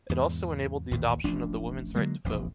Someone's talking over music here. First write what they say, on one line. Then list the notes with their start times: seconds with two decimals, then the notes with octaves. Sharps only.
It also enabled the adoption of the women’s right to vote.
0.10 E2 G#2
0.91 A1 D#2 A#2
1.24 D1 A1 F3 D4
1.96 D3 F#3 G#3 A#3
2.24 E1 A#1 F2 C3